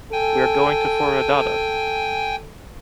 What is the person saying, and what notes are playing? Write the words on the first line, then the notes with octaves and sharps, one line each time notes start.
We are going to Foradada.
A4 G5 G#5